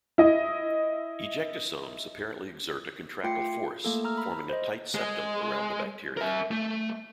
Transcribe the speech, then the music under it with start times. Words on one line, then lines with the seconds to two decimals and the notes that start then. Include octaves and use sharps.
Ejectosomes apparently exert a contractile force, forming a tight septum around the bacteria.
0.18 E4 D#5
3.24 A3 F4 G5 C7 C#7
3.85 A3 A#3 A4
4.04 A#5 E6 F6
4.18 B5
4.49 C5 D#5
4.95 G#3
6.17 A#4 E5
6.51 A3